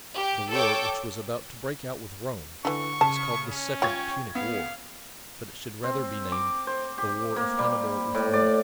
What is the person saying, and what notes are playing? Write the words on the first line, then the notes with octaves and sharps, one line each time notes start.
The war which was about to break out with Rome is called the second Punic war, but it should rather be named the war of Hannibal with Rome.
G4
A4 C#5 G5 D6
D3 E3 A3 C#6
C#3 A5
C#4
F4 C#5 G5 C#6 G#6
B3 F5
C4
D6
C5
G4
A#3
G3
A2
D5